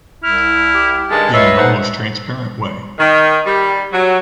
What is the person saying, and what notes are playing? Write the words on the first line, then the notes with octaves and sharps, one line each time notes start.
In an almost transparent way.
C2 E4 F6
G4
G2 D#3 G#3 A5
C#2 A3 F4 B4 C#5 D#5 E5 E6
D#4 A4 C5 F#5
D#3
G3
F#3